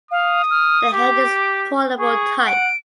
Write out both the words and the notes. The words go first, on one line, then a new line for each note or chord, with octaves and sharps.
The head is portable type.
F5 D#6
F6
G4 D6
G#4 C#6
F#5 D7